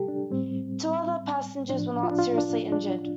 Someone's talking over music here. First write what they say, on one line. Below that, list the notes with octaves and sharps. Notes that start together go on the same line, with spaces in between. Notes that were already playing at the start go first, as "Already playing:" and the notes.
Two other passengers were not seriously injured.
Already playing: C3 G3 G4 A4
D4
A2 G3 C4
A2 F3 D4
F4
D4
F4
D4
D4